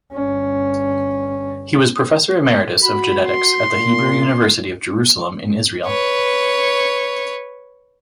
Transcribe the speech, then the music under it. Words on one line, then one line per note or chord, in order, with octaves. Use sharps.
He was professor emeritus of genetics at the Hebrew University of Jerusalem in Israel.
G1 C#4
F#4 B5
C6
A#2
B4 C#5